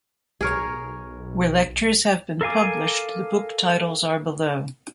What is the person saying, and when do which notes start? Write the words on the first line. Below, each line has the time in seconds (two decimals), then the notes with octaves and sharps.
Where lectures have been published the book titles are below.
0.41 B1 G#4 A#4 C#5
2.41 A4 A#4 F5 G#5 D6